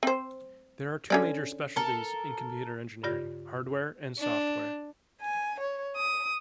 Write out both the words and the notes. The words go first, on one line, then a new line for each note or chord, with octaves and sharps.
There are two major specialties in computer engineering: hardware and software.
C4 C5
D3 C#4 D5
A4 A#4
G2 C#3 F4 G4 D5 A#6
D4
G#5
C#5
D#6